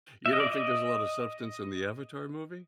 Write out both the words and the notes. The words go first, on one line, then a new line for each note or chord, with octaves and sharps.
you don't think there's a lotta substance in the Avatar movie?
E5
D#5
D5
D#5